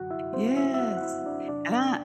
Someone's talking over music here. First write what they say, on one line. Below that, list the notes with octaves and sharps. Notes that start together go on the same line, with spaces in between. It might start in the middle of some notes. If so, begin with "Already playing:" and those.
Yes, and I
Already playing: F#2 D3 F#3 F#4 F#5
E4 E5
C4 C5
E4 E5
E5
F#4 F#5
F#5
E4 E5
D4 D5
E2 C3 F#3 D4 D5